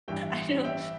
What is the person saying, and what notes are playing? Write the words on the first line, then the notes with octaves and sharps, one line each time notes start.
I don't,
A1 G2 E3 G3 E5 G5
E5 G5